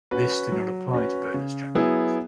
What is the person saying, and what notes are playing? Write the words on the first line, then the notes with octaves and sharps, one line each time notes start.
This did not apply to bonus jackpots.
C#4 F#4 B4
F#3
C#4 F#4 B4
C#3
F#3 B3 E4 G#4